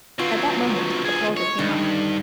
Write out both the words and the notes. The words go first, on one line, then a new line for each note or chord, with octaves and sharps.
At that moment a porter came up.
D3 F#3 B3 C4 F4
D2 G#4
C#5
G2 D3 D#3 D#4